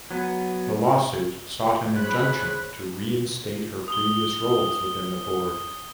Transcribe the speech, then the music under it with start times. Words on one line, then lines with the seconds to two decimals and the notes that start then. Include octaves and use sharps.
The lawsuit sought an injunction to reinstate her previous roles within the Board.
0.11 F#3 B3
1.96 G#4 C5 C#5 B5 F#6
3.88 D#6 G7